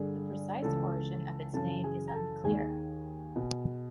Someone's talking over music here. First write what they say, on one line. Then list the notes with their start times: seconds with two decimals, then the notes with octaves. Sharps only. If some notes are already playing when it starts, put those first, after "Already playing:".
The precise origin of its name is unclear.
Already playing: G2 D3 G#4
0.62 C#2 C#3 E3 A4 A5
1.53 F#2 C#3 E3 A4 A5
1.84 G#4 G#5
2.08 A#5
2.13 A4 A5
2.44 D#2 D#3 G#4 G#5
3.36 B2